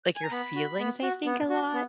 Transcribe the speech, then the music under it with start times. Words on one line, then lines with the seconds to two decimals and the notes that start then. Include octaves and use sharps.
like, your feelings, I think, a lot?
0.16 G#5
0.23 A#5
0.31 B3 B5
0.55 F#4
0.79 B3
1.02 F#4
1.26 B3
1.49 F#4
1.73 B3